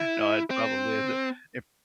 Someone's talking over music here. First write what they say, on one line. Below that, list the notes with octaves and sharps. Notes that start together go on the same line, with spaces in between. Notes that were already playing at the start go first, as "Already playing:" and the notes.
No, it probably isn't, if
Already playing: E4
C4